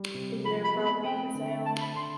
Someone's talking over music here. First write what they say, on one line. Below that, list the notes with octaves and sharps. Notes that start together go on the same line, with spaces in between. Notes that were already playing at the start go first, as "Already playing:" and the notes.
Is there a property for sale?
Already playing: G3
C3
F3 B5
B5
B3
B5
C4 G5
D3
A4 A5
B5
D3 C6